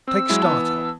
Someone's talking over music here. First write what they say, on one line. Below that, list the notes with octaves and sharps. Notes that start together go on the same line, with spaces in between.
Take Startop.
C4 E6
F#3 G#3 E4
E3 B3 A5